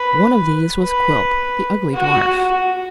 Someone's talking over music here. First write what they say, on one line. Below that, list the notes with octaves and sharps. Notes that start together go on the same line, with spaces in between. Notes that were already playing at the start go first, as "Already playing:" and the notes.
One of these was Quilp, the ugly dwarf.
Already playing: B4
B4
F#4
F#4